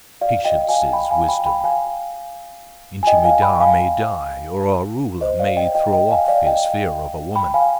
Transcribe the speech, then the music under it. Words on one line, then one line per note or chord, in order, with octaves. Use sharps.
Patience is wisdom. Inchi Midah may die or our Ruler may throw off his fear of a woman!' . . .
D5 F5
D#5 G5
F5 G#5
G5 B5
F5 G#5
G5 B5
G5 B5
F5 G#5
G#5
D#5 G5
F5 G#5
G5 B5
F5 G#5
C5 D#5
D5 F5
D#5 G5
D#5 G5
D#5 G5
F5 G#5
D5 F5
D#5 G5
G5 B5
F5 G#5